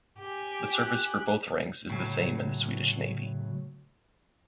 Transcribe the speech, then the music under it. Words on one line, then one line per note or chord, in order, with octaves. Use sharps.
The service for both ranks is the same in the Swedish Navy.
G4 G#5
F#6
A2 C#3 F#3